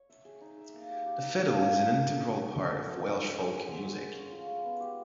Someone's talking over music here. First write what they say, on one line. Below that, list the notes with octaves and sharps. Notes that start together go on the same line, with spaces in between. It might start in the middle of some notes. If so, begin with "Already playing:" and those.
The fiddle is an integral part of Welsh folk music.
Already playing: C#5
E5
G#4
D#4
E5
A#3
G4
G4
D#4
A#3
G4
D#4
D#4
A4
F#4
F#4
A4
A4
F#4
D#4
A4
G#3
G#4
G#3
C#4
G#4
C#4
F4
G#3
B3
G4